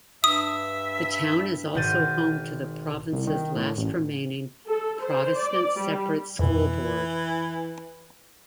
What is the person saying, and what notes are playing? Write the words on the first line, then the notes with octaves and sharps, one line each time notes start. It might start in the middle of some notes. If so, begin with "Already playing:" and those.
The town is also home to the province's last remaining Protestant Separate school board.
G2 E5 D#6
G#1 B2 G6 A6 D#7
C2
D#3
A2
A1
A4
C5
D5
G3
F2 B2 E3